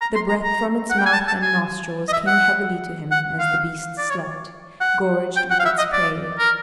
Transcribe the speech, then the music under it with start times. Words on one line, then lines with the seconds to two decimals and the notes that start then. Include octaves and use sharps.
The breath from its mouth and nostrils came heavily to him as the beast slept, gorged with its prey.
0.01 A#5
0.15 C6
0.29 A#5
0.43 A#5
0.90 F#5
0.99 G5
1.06 G#5
1.13 A5
1.28 A5
1.42 G#5
2.08 D#5
2.13 E5
2.27 F#5
3.11 F#5
3.39 F5
3.98 D5
4.10 C#5
4.80 F#5
5.36 G5
5.50 F#5
5.59 F5
5.65 E5
5.78 D#5
5.93 D5
6.39 A#4